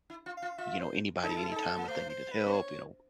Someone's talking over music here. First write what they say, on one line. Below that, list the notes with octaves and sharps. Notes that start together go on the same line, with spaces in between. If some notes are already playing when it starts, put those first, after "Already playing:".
you know, anybody anytime if they needed help, you know
E4
F4
F4 F5
F4 E5
C5
D#4 A4
E4
D#4 A4
A#3
A3 C5
C5
B4
C4
B3 C#5